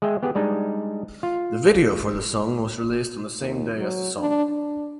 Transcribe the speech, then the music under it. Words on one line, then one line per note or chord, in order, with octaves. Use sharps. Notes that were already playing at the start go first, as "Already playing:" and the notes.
The video for the song was released on the same day as the song.
G#3 G#4 E5 G5
B3 G4 G#4
G3 G#3 D4 D#4
F4
D#2
F#3
D4
D4